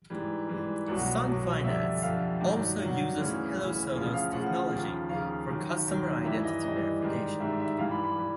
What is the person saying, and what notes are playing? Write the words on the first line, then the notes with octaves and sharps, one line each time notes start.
Sun Finance also uses Hello Soda’s technology for customer identity verification.
G#2 E3 G3
G#2 E3 G3
C2 B2 F#3 F#5
C2 B2 F#3
F2 D3 G3 E5
F2 D3 G3 F5
G2 D#3 F#3
G2 D#3 F#3 F#5
D2 C#3 E3
D2 C#3 E3
D2 C#3 F3
F5
D2 C#3 F3 F#5
D#2 C#3 F3
D#2 C#3 F3 F5
D#2 D#3 F#3
D#2 D#3 F#3
G2 E3 G3 E5
D#5
G2 E3 G3 D#5
G#2 D#3 G3
G#2 D#3 G3 E5
E5
G2 E3 G3 F5
B5
B5
E3 G3